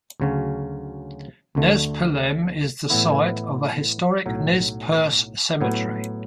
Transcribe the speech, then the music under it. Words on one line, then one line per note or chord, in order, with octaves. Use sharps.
Nespelem is the site of a historic Nez Perce cemetery.
D2 C#3 F#3 C#4
D2 D3 A3
A2 E3 B3 E4
B1 A2 F#3
A2 F#3 B3